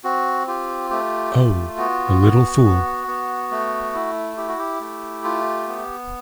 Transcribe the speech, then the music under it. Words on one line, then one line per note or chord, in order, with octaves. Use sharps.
Oh, the little fool!
C4 F#4
F4 G4
A3 G4
F4
B3 F#4
B3
B3
B3
A3
E4
E4 G4
F#4
G4
A3
F4
B3